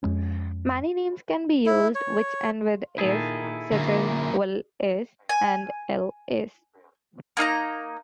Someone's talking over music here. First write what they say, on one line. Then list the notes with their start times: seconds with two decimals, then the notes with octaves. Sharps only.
Many names can be used which end with "is", such as "will.is" and "ell.is".
0.03 F2 G#3 C#4
1.66 E4
1.95 C#5
2.98 A#2 D#3 E4 G#4 A4
3.72 F#2 A#2 D3 A#3
5.29 G#5
7.37 A#3 D#4 F5 A#5